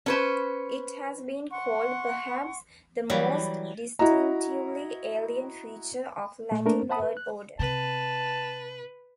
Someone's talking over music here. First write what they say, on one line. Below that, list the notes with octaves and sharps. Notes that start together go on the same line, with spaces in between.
It has been called perhaps the most distinctively alien feature of Latin word order.
C#4 B4 C5
F#5 C6 C#6
E3 F#3 G3 B5
E4 F#4 D#5 A#5
A#2 A3
A3 A#3 D4 A#4
C5 E5 F#5 A5 B5 D#6
B4
F#6
C3 B4 A5